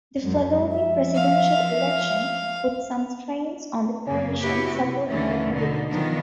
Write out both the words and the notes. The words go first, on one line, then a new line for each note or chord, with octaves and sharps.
The following presidential election put some strains on the coalition supporting the cabinet.
F#2 G#3
F3 E5
F5
F#2 C#3 A#3
B3 C#4 E4 F#4 G4 B4
C3
D#2 D3 E3 A3 C#4
B2 D3 D#4
D#3 F3 B3 D4